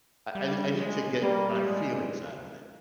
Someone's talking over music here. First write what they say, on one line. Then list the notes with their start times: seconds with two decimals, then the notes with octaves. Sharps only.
I I nee I need to get my feelings out of it
0.35 G3
0.78 G#3
1.22 G3 A#3
1.55 G3
1.65 G#3